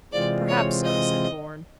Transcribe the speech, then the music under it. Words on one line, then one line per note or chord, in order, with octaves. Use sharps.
"Perhaps so," said Bourne.
C3 E3 G#3 C4 F4 D5
C#5
D#5